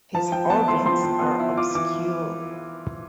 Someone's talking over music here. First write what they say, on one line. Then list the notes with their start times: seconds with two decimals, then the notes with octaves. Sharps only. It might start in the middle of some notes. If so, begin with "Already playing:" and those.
His origins are obscure.
0.14 F3 A5
0.32 F3 G5
0.50 B3 A5
0.68 E4 C6
0.86 F3 C6
1.04 F3
1.22 B3
1.39 E4
1.57 F4 D6
1.75 E3 D6